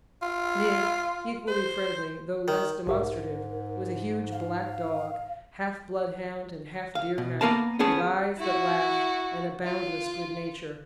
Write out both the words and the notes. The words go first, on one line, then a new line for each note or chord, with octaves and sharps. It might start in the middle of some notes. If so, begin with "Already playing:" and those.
Nig, equally friendly, though less demonstrative, was a huge black dog, half bloodhound and half deerhound, with eyes that laughed and a boundless good nature.
F4
C5
D#3
B1 G#2 G4 A#4 E5
F5
F5
B2
A#3 B3 A#4 F5 A5
B3 C#4 G#4 A5
E4 F#4
F4